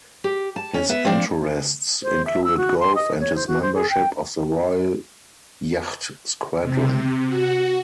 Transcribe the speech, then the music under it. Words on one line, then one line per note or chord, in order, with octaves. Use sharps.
His interests included golf and his membership of the Royal Yacht Squadron.
G4
A5
C#4
B3 E5
F3 C4 D4
C5
E5
E6
F#4
C6
D#5
C#5
C5
F#4
C5
G#4
G5
C3
F#4